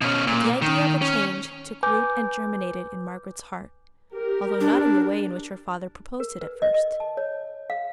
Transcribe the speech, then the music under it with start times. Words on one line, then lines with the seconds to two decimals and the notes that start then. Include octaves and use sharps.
But the idea of a change took root and germinated in Margaret's heart, although not in the way in which her father proposed it at first.
0.01 B2 C#4
0.27 A#2
0.62 D#3
1.02 C#4
1.83 B4 G#5 D6 G6
4.15 G4 A#4
4.61 D4
6.20 A#4
6.42 B4
6.62 D#5
6.74 D#5
7.00 A5
7.17 C#5
7.70 F5